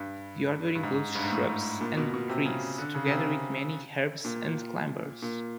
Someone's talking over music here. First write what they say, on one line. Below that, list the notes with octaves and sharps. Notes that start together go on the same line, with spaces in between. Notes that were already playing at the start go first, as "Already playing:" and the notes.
The order includes shrubs and trees, together with many herbs and climbers.
Already playing: G2
G2
G#2
G2
G#2
A2
A#2
B2
B2
C3
C#3
D3
C#3
C#3
C3
A#2
A#2